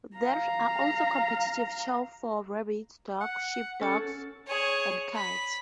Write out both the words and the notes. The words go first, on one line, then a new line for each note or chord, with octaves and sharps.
There are also competitive shows for rabbits, dogs, sheepdogs, and cats.
F5 A#5
F#5
C#4 A4
G#4 C#5
B5